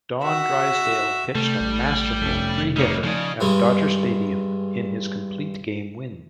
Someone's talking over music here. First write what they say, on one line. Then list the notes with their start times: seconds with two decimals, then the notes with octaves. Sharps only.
Don Drysdale pitched a masterful three-hitter at Dodger Stadium in his complete-game win.
0.22 F#4 E5
1.35 C3 G3 A3
1.60 A1
2.22 F1 A3 C#4
2.76 G3 A3 A#3 D#4 C#5
3.04 C#3 F3 D#4 D5
3.41 G2 E3 G#3